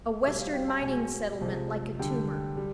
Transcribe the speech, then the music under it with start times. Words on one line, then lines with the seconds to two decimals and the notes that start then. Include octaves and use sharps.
A Western mining-settlement like a tumor.
0.24 B2 G3 E5
0.39 F5
0.53 G5
0.68 A5
0.82 B2 G#3 G#5
1.41 C3 F3 G#3
1.99 D3 G3 G5
2.57 G3